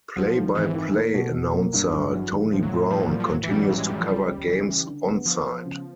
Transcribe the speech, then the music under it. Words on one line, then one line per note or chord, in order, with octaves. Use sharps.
Play-by-play announcer Tony Brown continues to cover games on-site.
F3 F#3
D#3
G#1 E3
D#3
A#3
B2
B2
A#3
G2 F#3
G2
E3 F#3
D#3
A2 F3
F#3
A2 F3
A2 F3
F#3
G3 A#3
F3
A2 F#3
E3
A1 G3
F#3
A1 F#3
G#3
A1 G3
F3
C#2 G3
C#2
C#3 E3
C#3
D3
B3
F3 B3
B3
C#3